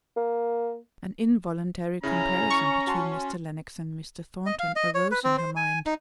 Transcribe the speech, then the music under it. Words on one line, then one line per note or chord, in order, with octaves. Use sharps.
An involuntary comparison between Mr. Lennox and Mr. Thornton arose in her mind.
A#3
C#3 C#4 E4 A#5
C#6
F#4 A5 C6
D#5
F5
D#5
C#5
B4
C4
C5
G#5
D#4